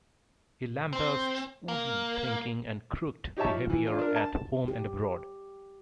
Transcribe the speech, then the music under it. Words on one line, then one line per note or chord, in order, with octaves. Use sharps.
He lambasts woolly thinking and crooked behaviour at home and abroad.
C4
A#3
D#4 G4 C#5 E5 A5
F3
E3
D4 F4
D4 A#4
A5
G4